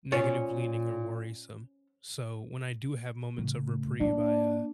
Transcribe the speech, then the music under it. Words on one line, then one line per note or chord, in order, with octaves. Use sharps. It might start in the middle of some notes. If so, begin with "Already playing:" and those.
negative leaning or worrisome. So when I do have moments of reprieve, I, uh,
A#2 C#4
A2 C#3
A#3 D4